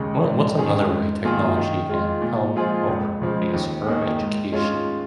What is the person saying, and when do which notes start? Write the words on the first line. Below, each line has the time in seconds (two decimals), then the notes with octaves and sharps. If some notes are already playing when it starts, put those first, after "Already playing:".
what what's another way technology can help or, I guess, hurt education?
Already playing: D#2 C#3 G#3
0.24 G#2
0.57 D#3 G#3 C#4 G#4
0.91 G#2
1.24 D#3 A#3 F4 G#4
1.56 D#3
1.89 G#3 F4
2.22 A#2
2.56 F3 G#3 F4 G#4
2.88 C#2
3.22 C#3 F3 G#3
3.54 D#2
3.87 D#3 A#3 D#4 G#4
4.20 G#2
4.52 G#3 C#4 F4